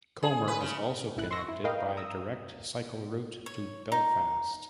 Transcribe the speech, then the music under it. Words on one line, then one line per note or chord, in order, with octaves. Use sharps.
Comber is also connected by a direct cycle route to Belfast.
G#4
B4
C#3
A1 E4 F#6
C6 C#6 E6 A#6
E4
A#4 B4 D#5 F5 G5
A#5 D#6 E6
C#5
D#4